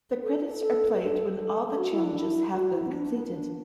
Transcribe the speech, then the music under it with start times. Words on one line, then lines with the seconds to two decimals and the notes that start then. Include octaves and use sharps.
The credits are played when all the challenges have been completed.
0.23 A4
0.62 A4
0.94 B4
1.01 A4
1.38 A4
1.77 F#4
1.91 E4
2.05 D4
2.19 E4
2.53 F#4
2.73 E4
2.87 B3
2.92 D4
3.10 B3
3.30 D4